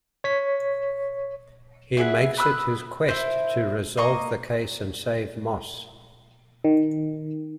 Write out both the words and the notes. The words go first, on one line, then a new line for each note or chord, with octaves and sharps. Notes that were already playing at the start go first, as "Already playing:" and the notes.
He makes it his quest to resolve the case and save Moss.
C#5 B6
E4 G#4 E5 F#5
B3 B5 E6 F#6
E4 C5
A#3 D#5 A#5 C#6
D#3